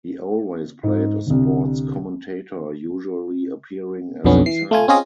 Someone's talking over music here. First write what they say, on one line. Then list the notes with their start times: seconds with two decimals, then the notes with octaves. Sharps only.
He always played a sports commentator, usually appearing as himself.
0.83 G#2
1.26 C2 D3
4.24 B1 F2 D3 B3 C#4
4.46 E3 C7
4.71 A3 F4 G#5
4.88 C4 C#4 F4 G#4 D#5